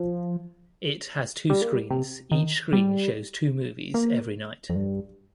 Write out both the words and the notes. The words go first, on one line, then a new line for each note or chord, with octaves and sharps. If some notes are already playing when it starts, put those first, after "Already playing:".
It has two screens; each screen shows two movies every night.
Already playing: F3
G3
A#3
G3
C3
D#3
G3
A#3
F2
G2